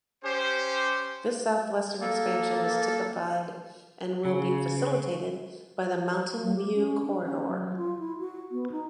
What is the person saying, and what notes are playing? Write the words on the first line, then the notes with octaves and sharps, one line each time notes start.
This southwestern expansion is typified and will be facilitated by the Mountain View Corridor.
C#4 G4 C5
A#3 A4
C#3
F#3
G4
C#4
D4
C#4
F#3
F4
E4
F#4
B3
D#4